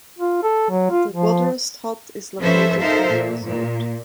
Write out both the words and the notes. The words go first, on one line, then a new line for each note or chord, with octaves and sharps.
The Bodrost hut is located in the resort.
F4
A4
F#3
F4
F3
F3 C#4 A4 B4 C5 E5
D#4 A4 A#4 C5 E5 F5
A#2
A#2